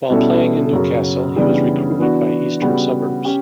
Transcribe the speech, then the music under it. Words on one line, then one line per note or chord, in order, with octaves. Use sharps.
While playing in Newcastle he was recruited by Eastern Suburbs.
B2 G3 C#4 E4 A4
F#2 C#3 F#3
C#3 E3 G3 B3 D4
E3 B3 D4 F#4
C#3 G3 B3 F#4
C#4 G4